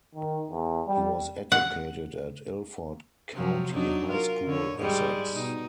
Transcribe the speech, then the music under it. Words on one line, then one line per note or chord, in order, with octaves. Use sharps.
He was educated at Ilford County High School, Essex.
D#3
E2
G3
F#5
C3 F3 F#3
F#3 D4 D#4
F4 A#4
D3 C#5
G#2 G3 G#3
B2 D#4